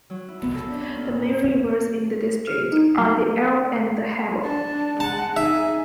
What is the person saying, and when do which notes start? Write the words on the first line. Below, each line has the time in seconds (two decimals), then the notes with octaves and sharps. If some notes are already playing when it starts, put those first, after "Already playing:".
The main rivers in the district are the Elbe and the Havel.
0.10 F#3
0.28 E4
0.42 B3
0.55 A4
0.70 D4
0.83 C#4
0.95 A#3
1.08 A#2
2.47 F6
2.72 D#4
2.98 F#3
4.43 D4 A5
5.00 G#3 F#5 A5
5.37 D#4 G#4 E5